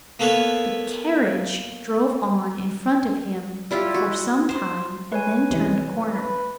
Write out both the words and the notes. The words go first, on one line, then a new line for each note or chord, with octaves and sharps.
The carriage drove on in front of him for some time and then turned a corner.
A#3 B3 A4 B4 C#5
G3 E4 F4 G4
F#4
C5
B4 C#5 G#5
B1 C3 E3
B4